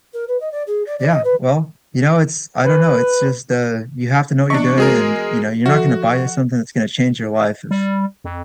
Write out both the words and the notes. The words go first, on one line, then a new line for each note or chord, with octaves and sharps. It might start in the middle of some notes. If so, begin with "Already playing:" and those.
Yeah, well, you know, it's I don't know, it's just the you have to know what you're doing and, you know, you're not gonna buy a something that's gonna change your life if
A#4
B4
D#5
D5
G#4
D5
D5
D#5
B4
B4
E3 B3 D4 C#6
G#3 F#4 G#4 A#4
F3 F#4 A4
G3
F2